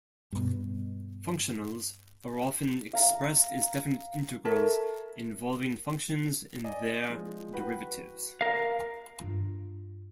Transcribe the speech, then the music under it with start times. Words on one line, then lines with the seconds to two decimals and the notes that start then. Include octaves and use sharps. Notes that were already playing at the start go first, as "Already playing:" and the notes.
Functionals are often expressed as definite integrals involving functions and their derivatives.
0.32 G2 B2
2.93 F5 A#5
4.45 A4 A#4 C#5 E5
6.64 D5 D#5 G#5
7.10 F3 G#3
7.53 F#4 B4 G5
8.41 A#4 F5
9.20 G2 F4